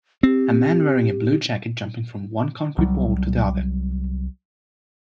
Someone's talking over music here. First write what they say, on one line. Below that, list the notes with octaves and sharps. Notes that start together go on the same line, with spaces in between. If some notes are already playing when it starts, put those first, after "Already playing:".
A man wearing a blue jacket jumping from one concrete wall to the other.
C4 G4
C2 F#3 G3